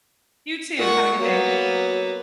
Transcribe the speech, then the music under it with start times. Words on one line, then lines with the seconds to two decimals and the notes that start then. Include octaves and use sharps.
You too, have a good day.
0.78 A#2 F#5 C#6
1.19 F#3 A#3 B3